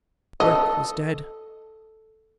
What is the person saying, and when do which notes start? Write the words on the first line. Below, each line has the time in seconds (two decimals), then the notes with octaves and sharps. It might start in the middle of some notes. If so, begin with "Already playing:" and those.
Burke was dead!
0.40 A4 D#5